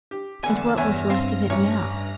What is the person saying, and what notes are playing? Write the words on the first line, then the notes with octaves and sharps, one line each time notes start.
And what was left of it now?
G4
E2 D3 G#5 A5 E6
E2 G2 C#5 E5 G#5 F6 A#6
C4 F5
A1 C#5